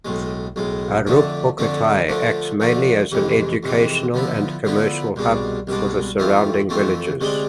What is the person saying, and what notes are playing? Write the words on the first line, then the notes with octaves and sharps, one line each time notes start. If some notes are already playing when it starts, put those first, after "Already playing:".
Aruppukottai acts mainly as an educational and commercial hub for the surrounding villages.
B1 A2 G#3
B1 A2 G#3
F2 D3 A3 D4
F2 D3 A3 D4
D3 F3 A3 D4
D3 F3 A3 D4
F2 C3 E3 G#3
F2 C3 E3 G#3
D3 F3 B3 E4
D3 F3 B3 E4
C2 B2 G#3 D4
C2 B2 G#3 D4
F2 E3 A3 C4 F4
F2 E3 A3 C4 F4
D2 C3 G#3 D4 G#4